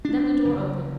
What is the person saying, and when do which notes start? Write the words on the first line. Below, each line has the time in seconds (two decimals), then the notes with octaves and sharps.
Then the door opened.
0.05 D4
0.45 F#1